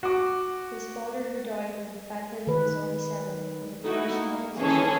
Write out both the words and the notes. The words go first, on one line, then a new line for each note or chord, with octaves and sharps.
His father, who died when Fadhili was only seven, was a traditional musician.
F#4 D6
D#3 B4
A3 D#4 E4 F#4
A#3
D#3 E3 C#4 G#4 A4